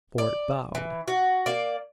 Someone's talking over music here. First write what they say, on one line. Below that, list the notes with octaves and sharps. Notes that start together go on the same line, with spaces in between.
Fort bowed.
D5
E3
F#4
A#3 D5